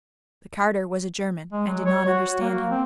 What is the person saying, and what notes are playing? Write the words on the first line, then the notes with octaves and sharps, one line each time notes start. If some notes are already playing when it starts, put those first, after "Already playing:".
The carter was a German and did not understand him.
G#3
F#3
C#5
F#4
A#3
C4